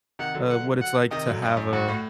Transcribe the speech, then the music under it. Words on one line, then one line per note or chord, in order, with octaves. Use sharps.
a what it's like to have a
C3 D#3 F#5
D3 F#3
F#5
F#5
C3 D#3 D#5
D3 F#3
G2 D#5
F#2
G2 F#4
A2